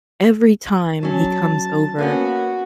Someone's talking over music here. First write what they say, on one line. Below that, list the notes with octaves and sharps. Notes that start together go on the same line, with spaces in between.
every time he comes over
F#3 C#4 A5
A#3 B3 C#4 F#4